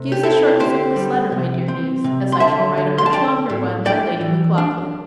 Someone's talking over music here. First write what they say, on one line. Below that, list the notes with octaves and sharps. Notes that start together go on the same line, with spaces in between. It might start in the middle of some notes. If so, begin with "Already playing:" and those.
Excuse the Shortness of this Letter, my dear Niece, as I shall Write a much Longer one by Lady Maclaughlan.
Already playing: C3 A3
G4
C4 E4 A4
D3 G4 C5
G3
C3
C4
C3
C6
D3 E5 A5
D3
C6
A5
D4 D5 G5
A2
D4 D5 G5
E3
D4